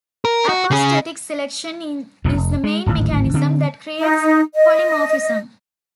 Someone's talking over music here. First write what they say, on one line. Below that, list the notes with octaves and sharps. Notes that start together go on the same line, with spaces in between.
Apostatic selection is the main mechanism that creates polymorphism.
A#4
F#4
C#3 G#4
E1 B1 E2 A2
F1
G#3
D1 G#1 A2
D3 C4
D#4
D#5